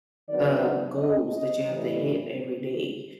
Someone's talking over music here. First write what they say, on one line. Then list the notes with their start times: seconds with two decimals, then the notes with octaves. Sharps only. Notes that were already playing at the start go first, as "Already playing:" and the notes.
uh, goals that you have to hit every day
0.29 D#3 F#3 B3 D4 D5
0.98 D#5
1.33 D#5
1.67 A2 E3 G3